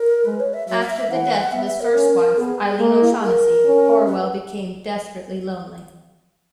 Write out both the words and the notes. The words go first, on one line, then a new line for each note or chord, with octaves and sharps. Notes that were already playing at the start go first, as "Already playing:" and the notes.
After the death of his first wife Eileen O'Shaughnessy, Orwell became desperately lonely.
Already playing: A#4
G#3 B4
C#5
E5
F#3 E5
E5
E5
E3 F#5
B3 E5
E5
A#4
C#4
B3 G#4
A#3 A#4
E4
G#4
A#4
C#4
B4